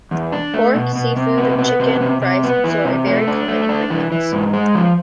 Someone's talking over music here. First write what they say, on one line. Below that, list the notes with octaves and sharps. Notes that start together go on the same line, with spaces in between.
Pork, seafood, chicken, rice, and soy are very common ingredients.
E2
D4
A3
B2
B2
C3
B3
B3
C3
C3
C3
B3
E3
C3
A3
D4
A3
D4
E3
E3
G#2
G#3
F3